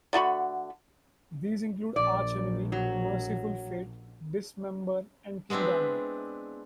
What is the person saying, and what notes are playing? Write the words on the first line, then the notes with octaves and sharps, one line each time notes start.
These include Arch Enemy, Mercyful Fate, Dismember and King Diamond.
D3 A3 F#4 B5
A#1 D5
F#3
G#3 B3 C4 D4 E4